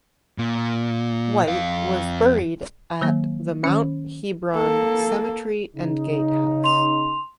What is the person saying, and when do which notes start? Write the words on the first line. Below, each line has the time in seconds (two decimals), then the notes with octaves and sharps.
Wight was buried at the Mount Hebron Cemetery and Gatehouse.
0.38 A#2
1.48 F2 F5
3.01 D#3 F#3 A#3
3.64 D#3 C#4
4.54 A#3 A4
5.76 C#3 D#4
6.64 C6 F7